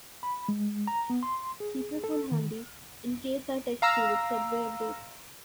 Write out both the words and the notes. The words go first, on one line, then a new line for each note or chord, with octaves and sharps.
Keep your phone handy in case I text you with subway updates.
B5
G#3
A#5
B3
C6
G#4
A4
D#3
F5 A#5 E6